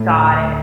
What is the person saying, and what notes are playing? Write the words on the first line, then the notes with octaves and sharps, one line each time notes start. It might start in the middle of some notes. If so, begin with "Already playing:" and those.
Got it.
Already playing: A2 A3
D2
D2